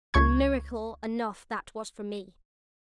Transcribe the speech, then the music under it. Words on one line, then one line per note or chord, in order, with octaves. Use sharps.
And miracle enough that was for me.
C#2 C#6 G#6